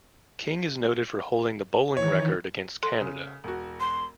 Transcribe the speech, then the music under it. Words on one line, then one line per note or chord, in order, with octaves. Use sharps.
King is noted for holding the bowling record against Canada.
D#3 E3 C#5
A4 C6
C#3
E1 F#4
C6